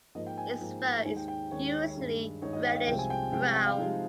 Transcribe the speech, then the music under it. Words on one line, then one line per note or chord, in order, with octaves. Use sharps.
Its fur is usually reddish brown.
G#2 F3 A#3 D#5
G5
G#5
G#5
G#2 F3 A#3
D#2 D#3 G#3 D#4 G#5
G5
G5
D#2 D#3 G#3 D#4 C#5
G2 D#3 G#3 D#4
G2 D#3 G#3 D#4 C#5
D#5
G5
F5
C2 C3 F3 G#3 C4 G5
G#5
G5
C2 C3 F3 G#3 C4 G5
G5
G5
F5
C3 F3 G#3 D#4